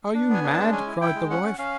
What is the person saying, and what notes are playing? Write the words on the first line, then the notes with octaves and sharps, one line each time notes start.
'Are you mad?' cried the wife.
D4
B3 G#5
D4
G#3 A5
C#4 G#5
E4
E4 G5
G#3
C#4 F#5
C#4
C#4 F5